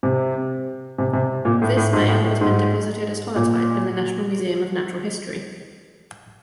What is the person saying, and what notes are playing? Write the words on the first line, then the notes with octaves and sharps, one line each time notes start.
This male has been deposited as holotype in the National Museum of Natural History.
C3
C3
C3
A#2
A2
A2
G#2
A2
A2
G#2
A#2